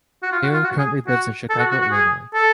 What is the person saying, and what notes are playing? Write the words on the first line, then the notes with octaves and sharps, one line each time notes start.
Thayer currently lives in Chicago, Illinois.
F#4
F4
F#4
F4
F#4
G#4
F#4
A4
F#4
F#4
F#4
G#4
A4